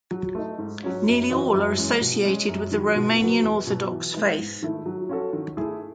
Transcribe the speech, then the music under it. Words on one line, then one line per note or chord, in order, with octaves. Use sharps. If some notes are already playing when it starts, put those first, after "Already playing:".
Nearly all are associated with the Romanian Orthodox faith.
F#3
A3 D#4
G#2
F#3 C#4 F#4
F#2
E3 B3 D#4 F#4
F#2
E3 G#3 C#4
B2
G#3 C#4
F#2
D#3 F#3
B2
F#3 B3 F#4
E2
B2 F#3
E3
G#3 B3 D#4
G#2
D#3 A3 E4
F#3
C#4 F#4 A4
D#3
A3 E4 G#4